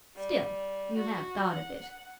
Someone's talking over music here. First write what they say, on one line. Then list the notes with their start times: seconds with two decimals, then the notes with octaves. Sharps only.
"Still, you have thought of it?"
0.15 G3
0.97 F#4
1.53 F#5